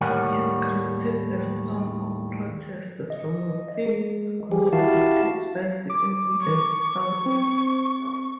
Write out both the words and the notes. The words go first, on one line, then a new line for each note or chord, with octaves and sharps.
This created a storm of protest from within conservative circles in the South.
D#2 A2 G3 A#4 C#5 F#5
D#5
G#3
G3 G4 G#4
E4 F#4 G4 F5 A5
D6
C#6
C4